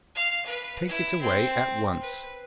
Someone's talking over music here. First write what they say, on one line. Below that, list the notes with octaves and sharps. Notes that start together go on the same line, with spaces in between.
'Take it away at once!'
F5
B4
E4
C4
B4